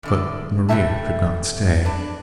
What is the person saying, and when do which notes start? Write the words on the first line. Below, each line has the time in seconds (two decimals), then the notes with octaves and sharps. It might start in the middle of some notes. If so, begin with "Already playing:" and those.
But Maria could not stay.
0.03 E2 D3 D5
0.69 C3 G3 A3 C4 E5 A5
1.85 D4 B4